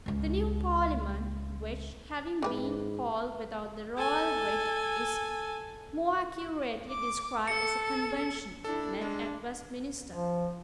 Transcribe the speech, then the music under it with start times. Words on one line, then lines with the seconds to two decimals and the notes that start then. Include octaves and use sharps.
The new Parliament, which, having been called without the royal writ, is more accurately described as a Convention, met at Westminster.
0.06 C#2 G#3
2.42 G#2 E3 G4 B4
3.97 A4 G#5
6.89 D6
7.48 A4 C#7
8.64 D4 E4 A4
9.01 G#3 D4
10.10 F3